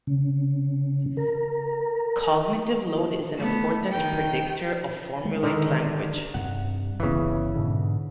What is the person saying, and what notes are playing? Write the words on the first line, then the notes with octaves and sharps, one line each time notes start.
Cognitive load is an important predictor of formulaic language.
C#3
A#4
A3 B3
D#3 G5
G#3
D3 D#3
G2 C3 F#5
G1 C#3 E3 B3
G#2 B2 D3